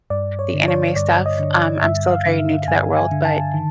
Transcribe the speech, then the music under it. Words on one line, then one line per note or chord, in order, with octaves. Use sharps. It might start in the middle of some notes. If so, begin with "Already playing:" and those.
the anime stuff. Um, I'm still very new to that world, but,
G2 D5
C#5
D3
C#5
G2 D5
D#5
D3
G2 E5
F5
D3
G2 G#5
G#5
D3
A5
D#3